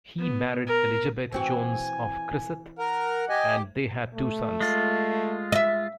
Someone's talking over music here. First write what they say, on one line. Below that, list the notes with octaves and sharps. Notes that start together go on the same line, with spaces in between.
He married Elizabeth Jones of Criccieth, and they had two sons.
B3
A#4
E3 C4 F#4 G#5
A#4 F#5
G4 D#5 G#5
A3
G#3 F4
D#5 E5